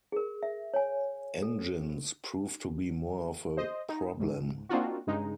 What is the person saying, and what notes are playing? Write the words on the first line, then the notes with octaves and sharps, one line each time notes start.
Engines proved to be more of a problem.
G#4 A#4
E5
C#5 G#5
A4
C5 D#5
D#4
C#2 G#2
A#3 C4 D4 D#4 F4 F#4
G2 C#3 G#3 D#4